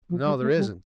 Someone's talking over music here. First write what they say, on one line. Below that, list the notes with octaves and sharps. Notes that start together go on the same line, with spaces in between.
"No, there isn't."
F3
G3
A3
G3